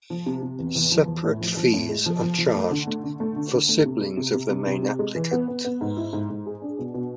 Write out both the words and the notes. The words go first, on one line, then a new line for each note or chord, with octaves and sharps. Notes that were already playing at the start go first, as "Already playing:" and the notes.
Separate fees are charged for siblings of the main applicant.
F3
C3
C3
E2
E2
F3
E2
A2
F3
F3
A2
G#3
F3
F3
F3
A3
D3
A3
D3
A3
D3
D3
A3
C3
G#3
C3
C3
C3
C3
C3
G#3
E3
B3
B3
B3
G#2
E4
G#2
G#2
G#4
D4
B2
B2